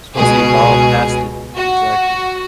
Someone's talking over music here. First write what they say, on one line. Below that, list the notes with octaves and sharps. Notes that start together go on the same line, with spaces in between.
supposed to evolve past it. Exactly.
C#2 B2 G#4
F#4